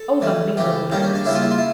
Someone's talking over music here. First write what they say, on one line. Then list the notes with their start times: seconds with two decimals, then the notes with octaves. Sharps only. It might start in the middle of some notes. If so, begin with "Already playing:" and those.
"Oh, the mean little beggars!"
Already playing: A4
0.21 C#3 E3 A3
0.57 C#3 E3 A3 G4
0.91 C#3 G3 A#3 G4
1.02 C#4
1.15 D4
1.26 C#3 G3 A#3 E4
1.35 F4
1.42 E4
1.51 F4
1.58 E4